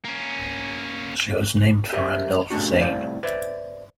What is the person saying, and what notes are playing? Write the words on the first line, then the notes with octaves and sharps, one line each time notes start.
She was named for Randolph Zane.
A#3 C#4
G4 A#4 C5 D#5 E5
A#2 C#3 A3 D4 F#4
C2 A2 G3 C5 D5 F5
B4 C5 D5 E5